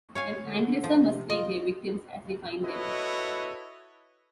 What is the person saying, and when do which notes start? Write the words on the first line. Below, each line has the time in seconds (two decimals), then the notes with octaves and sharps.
An aggressor must take their victims as they find them.
0.15 C#5 F5 G#5
0.45 D3
0.84 F3
1.03 C3
1.30 F4 D#5
2.64 E4 F#4 A4 B4 C#5 D#5